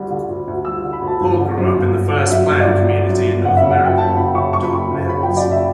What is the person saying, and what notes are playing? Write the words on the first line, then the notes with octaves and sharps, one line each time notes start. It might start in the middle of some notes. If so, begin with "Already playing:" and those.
Paul grew up in the first planned community in North America, Don Mills.
Already playing: D2 D3 G3
D3
D2
D2
G3 E6
D3
B5
D2
A5
G1
D3
F#2
G1
G1
D3
F#2 E5
G1
D5
G1
D3
F#2
G1
F#1 F#5
C#3 E5
F#5
F#2
G5
F#1 A5
F#1 B5
C#3 C#6
F#2 C#6
B5
F#1 C#6
F#1
C#3 B5
F#2 G5
D5
F#1 E5